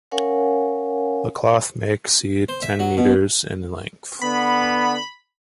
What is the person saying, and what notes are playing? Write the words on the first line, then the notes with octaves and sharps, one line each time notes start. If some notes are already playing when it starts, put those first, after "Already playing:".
The cloth may exceed ten meters in length.
C#4 A#4 C#5 F5 F#5 G#5
C5
E5
F#3
B2
D3 B3 B5